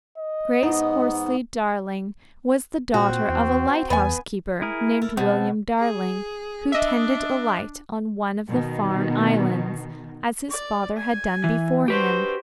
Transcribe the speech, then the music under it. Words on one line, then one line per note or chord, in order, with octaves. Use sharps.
Grace Horsley Darling was the daughter of a lighthouse keeper named William Darling, who tended a light on one of the Farne Islands as his father had done before him.
D#5
G#2 B3 D#4
A#2 C4 F#4
E2
E2 B3 G#5
E4 G#4 A#4
E4 A4 A#4
B2 C4 A5
G#4
D4 D#5 E5
B2 D#3
D5
G#5
E3
F#4 G4 B4 C5